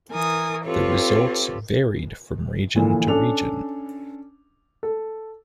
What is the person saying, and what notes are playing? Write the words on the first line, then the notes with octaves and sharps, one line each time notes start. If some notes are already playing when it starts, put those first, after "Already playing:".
The results varied from region to region.
E3 A#4 G#5 D#6
C4 F4 G4 A4 B4 C#5
A#2 D3 E3 F3
C#4 D4 A4 F7
A4